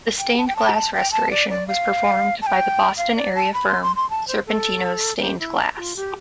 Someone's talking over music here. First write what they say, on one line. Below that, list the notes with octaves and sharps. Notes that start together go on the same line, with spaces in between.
The stained glass restoration was performed by the Boston-area firm "Serpentino Stained Glass".
G5
A5
G5
A5
A5
G5
A5
D5
D5
F5
A5
G5
F5
D5
A5
B5
C6
C6
C6
A5
C5
A4
G4
E4
F4
G4